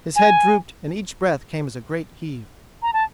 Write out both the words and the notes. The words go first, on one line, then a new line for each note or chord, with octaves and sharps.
His head drooped and each breath came as a great heave.
G#5
A#5
A5